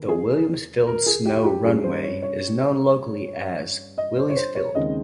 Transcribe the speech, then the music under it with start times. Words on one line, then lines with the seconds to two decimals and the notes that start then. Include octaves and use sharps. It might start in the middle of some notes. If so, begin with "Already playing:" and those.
The Williams Field snow runway is known locally as Willy's Field.
Already playing: D#2
0.09 G#4
0.87 A#4
1.06 G#4
1.26 G4
1.35 F4
1.45 G4
1.64 G2 G3 C#4 G#4
1.84 C5
2.03 C#5
2.22 C#5
3.98 D#5
4.17 C5
4.30 C#5
4.37 C5
4.55 C#5
4.75 D#2 C#3 G#3 C4 D#4 D#5